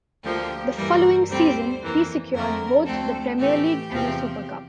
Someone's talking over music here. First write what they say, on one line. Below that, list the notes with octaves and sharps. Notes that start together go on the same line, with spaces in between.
The following season, he secured both the Premier League and the Super Cup.
D2 D3 F3 A#3 G4
G2 E3 G3 A#3 A#4
D2 D3 G3 C4 C5
F2 E3 A#3
F2 D3 A3 A#4
D2 D3 A3 C4 A4
A2 E3 A3 C4 G4
E2 C3 F3 C4